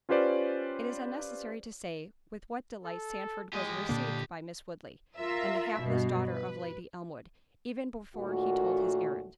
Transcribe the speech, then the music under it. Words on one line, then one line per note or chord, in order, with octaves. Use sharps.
It is unnecessary to say with what delight Sandford was received by Miss Woodley, and the hapless daughter of Lady Elmwood, even before he told his errand.
C#4 F4 G4 B4 C5 D5
A4
G#3 G4 D#5
A#2 D3 A#3 D4
F4 A#4 E5
G2 B2
B4
D#2 A#2 A3 F#4